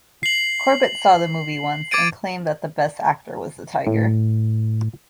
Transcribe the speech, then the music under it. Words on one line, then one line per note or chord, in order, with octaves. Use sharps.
Corbett saw the movie once and claimed that the best actor was the tiger.
C7 F#7
D6 G#6 A6 D7 D#7
A2